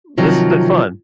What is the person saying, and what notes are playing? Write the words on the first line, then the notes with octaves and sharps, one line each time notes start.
This has been fun.
C3 D#3 F3 F#3